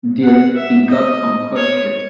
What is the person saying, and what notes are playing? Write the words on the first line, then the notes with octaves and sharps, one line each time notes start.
There he got unconscious.
F#5
E5
D#5
C#5